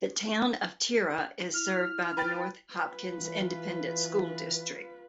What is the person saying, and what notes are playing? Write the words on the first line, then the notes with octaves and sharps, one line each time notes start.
The Town of Tira is served by the North Hopkins Independent School District.
E4 F6
B4 G5 A6
F4 B4
E3